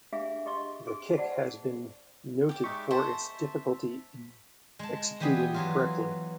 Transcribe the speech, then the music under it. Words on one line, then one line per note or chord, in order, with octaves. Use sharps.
The kick has been noted for its difficulty in executing correctly.
D4 G4 G#4 E5 F5
G4 D#5 C6 C#6
G#4
F#4 C5 D5 F#5 A5
G4 D5
G#3 D#4 E5 C#6
C5 E5 A5
G#3 A5
E3 G3 B3 G4 G#4
E3 F#3 F4